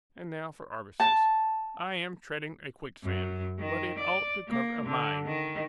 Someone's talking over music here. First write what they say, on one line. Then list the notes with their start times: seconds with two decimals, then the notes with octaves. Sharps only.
And now for Arbaces--I am treading a quicksand, but it ought to cover a mine.
1.00 A5
3.03 F#2
3.60 D#3
3.99 D5
4.48 A#3
4.86 D3
5.27 D#3